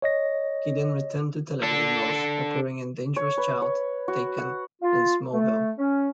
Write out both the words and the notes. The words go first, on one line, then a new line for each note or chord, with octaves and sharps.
He then returned to television roles, appearing in "Dangerous Child", "Taken", and "Smallville".
C#5 D#5 A#6
D4 A4
C#5
B4
C#5
F#4
F#5
F4
A3
C#4